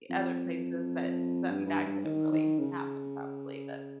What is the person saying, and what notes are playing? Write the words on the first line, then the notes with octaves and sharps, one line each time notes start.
other places that something bad could have really happened probably, but
F2
G2
G2
G2
D#3
D#3
C#3